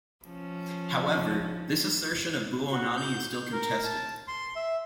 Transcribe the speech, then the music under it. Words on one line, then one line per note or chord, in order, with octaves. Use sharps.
However, this assertion of Buonanni is still contested.
F3 C#4
F#4
G6
G6
A#4
A5
C6
E5